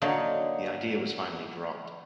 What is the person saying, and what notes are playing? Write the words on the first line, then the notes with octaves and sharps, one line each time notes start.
The idea was finally dropped.
D3 F#3 A#3 D#4 C#5